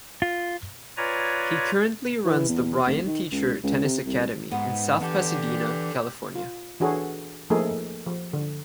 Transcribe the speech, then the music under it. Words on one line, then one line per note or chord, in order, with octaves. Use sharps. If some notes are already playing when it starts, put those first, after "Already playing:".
He currently runs the Brian Teacher Tennis Academy in South Pasadena, California.
F4
F4 B4 C#5 D5 G#5 A#5
E3
E2
F1
D#3
C#2
C#2
C3
C2
G#2 B3
E3 D4 G4 A4
F4
E3 D4 F#4 G#4 A4 C#5
F3 A3 A#3 D#4 G#4 A4
F3
D3